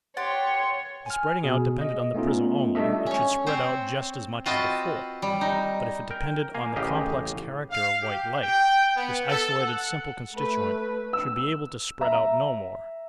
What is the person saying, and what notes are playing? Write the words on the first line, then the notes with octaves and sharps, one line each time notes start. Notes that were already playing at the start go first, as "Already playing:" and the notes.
If the spreading out depended on the prism only it should spread out just as much as before, but if it depended on the complex character of white light, this isolated simple constituent should be able to spread out no more.
G4 C#5 F#5 C6 A6
G#5 F6
B2 G#4
D#5
A3 B3 C#4 D#4 F4
G3 A3 D4 A4 D#5 E5
C#4 C#5
C4 C5 C#5
C4 F4 F#4 B4 D#5 A5
G3
D#4
A#4 G5
A#3 F5 G#5
A1 C#3 G4 D#5 F5
F5
G4
G5
B3
A4
F#5
A3 B4
E6
E5 A#5